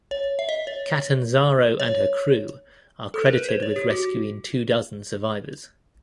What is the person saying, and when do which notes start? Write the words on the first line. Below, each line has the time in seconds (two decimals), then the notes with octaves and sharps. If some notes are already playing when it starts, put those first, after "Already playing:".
Catanzaro and her crew are credited with rescuing two dozen survivors.
0.11 C#5
0.39 E5
0.49 D#5
0.67 C#5
1.80 C#5
3.14 A4
3.26 A#4
3.37 B4
3.49 C5
3.62 C#5
3.76 G4
3.90 F#4